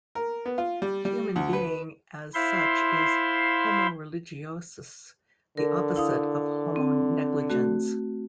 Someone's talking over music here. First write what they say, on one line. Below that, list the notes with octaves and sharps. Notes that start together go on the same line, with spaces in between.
Human being as such is "homo religiosus", the opposite of "homo negligens".
A#4
B3
F4
G3
G3
D2
B4
E4 C5 E5 F5 C6
D3 A#4
E4 F5 D#6
C4
A3 F#4